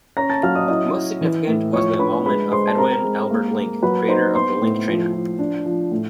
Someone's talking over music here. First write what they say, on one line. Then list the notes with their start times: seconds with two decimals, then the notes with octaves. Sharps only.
Most significant was the involvement of Edwin Albert Link, creator of the Link Trainer.
0.17 C#4 A#5 A#6
0.30 A5 A6
0.43 F#3 F5 F6
0.55 D#5 D#6
0.68 E4 D#5 D#6
0.95 E4
1.21 E3
1.47 A2
1.73 F3 C#5 C#6
1.99 D4 B4 B5
2.25 G#3 B4 B5
2.52 G#3 C5 C6
2.68 A5
2.78 C4 A#4 A#5
3.04 G#3
3.31 A#3
3.57 A#3
3.83 F#3 B4 B5
4.08 D#4 C5 C6
4.34 B3 C5 C6
4.61 A2
4.88 F3
5.13 F3
5.39 D4
5.66 F3
5.91 A2